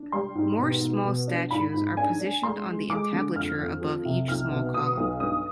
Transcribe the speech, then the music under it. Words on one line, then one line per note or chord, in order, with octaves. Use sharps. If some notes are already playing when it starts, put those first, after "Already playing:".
More small statues are positioned on the entablature above each small column.
Already playing: D4
G3 C6
G#2
B2
B2
B2
D4
G#2 B5
G#2
D4 G#5
D4
G#3 C6
G#3
G#3 D6
D3
F2 F6
F2
F3
C3
B1 F6
B2
B2 D#6
B1
G2 D#6